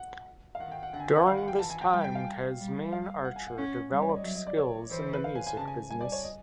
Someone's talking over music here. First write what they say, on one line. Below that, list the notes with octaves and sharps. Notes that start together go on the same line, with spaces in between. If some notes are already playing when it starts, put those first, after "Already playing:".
During this time, Tasmin Archer developed skills in the music business.
Already playing: F#5
F5
D#3 F#5
G5
F#5
D3 F#5
G#5
G5
F#5
D#3 F5
F#5
G5
E3 A5
G#5
G5
G3 G5
G5
F5
G3
F5
F#5
G#5
F#5
C#4
G3
C#5
D5
D#5
F#3 E5
D#5
D5
C#5
E3 C5
C5
B4
F5
G#5
G#5
C#3 A5
G#5
G3 G#5
D5
C#5
D#5